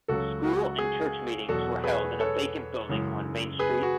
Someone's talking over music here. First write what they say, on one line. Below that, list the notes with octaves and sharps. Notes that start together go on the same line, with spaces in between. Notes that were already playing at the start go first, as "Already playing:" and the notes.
School and church meetings were held in a vacant building on Main Street.
C#2 C#3 F#3 F#4 A4
F#4
G#4
E2 B2 F#3 F#4 A4
G#4 B4
A4 C#5
F#2 C#3 E3 G#3
G#4 B4
F#4